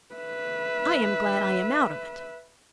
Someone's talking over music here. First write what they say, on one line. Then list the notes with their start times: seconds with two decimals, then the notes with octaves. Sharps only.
I am glad I am out of it.
0.14 B4 E5